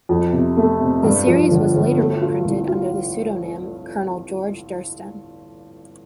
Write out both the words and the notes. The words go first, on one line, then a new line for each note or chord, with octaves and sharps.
The series was later reprinted under the pseudonym Colonel George Durston.
F2
C3
A3
C3
G2
F3
G1
G1
A3
F4
C2
F4